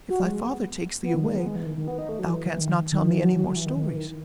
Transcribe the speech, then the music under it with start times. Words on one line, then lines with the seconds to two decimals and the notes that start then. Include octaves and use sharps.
"If thy father takes thee away, thou canst not tell me any more stories."
0.10 F#4
0.20 F#3
0.25 G#3
0.41 B3
1.03 B3
1.14 D#3
1.25 G#3
1.35 B3
1.46 G#3
1.56 E3
1.66 D#3
1.77 D#3
1.88 B3
1.98 D#4
2.09 A3
2.19 F#3
2.30 E3
2.45 E3
2.60 D#3
2.92 D#3
3.07 E3
3.23 F#3
3.39 F#3
3.49 F#3
3.56 E3
3.66 D#3
3.76 D#3
3.87 E3
3.97 D#3